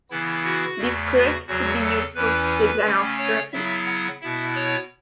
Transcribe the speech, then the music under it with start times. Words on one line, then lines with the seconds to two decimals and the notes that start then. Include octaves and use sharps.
This quirk could be used for steganography.
0.10 C#3 E3 B3 E4
0.44 F#4
0.78 E2 C#3 A3
1.13 F#4
1.47 E2 C#3 F#3 F#4
1.81 A4
2.15 E2 E3 C#4 E4 B4
2.84 C#3 A3 C#4
3.18 C#5
3.52 C#3 F#3 B3 E4 E5
3.86 F#5
4.21 B2 B3 E4 E5
4.55 C#5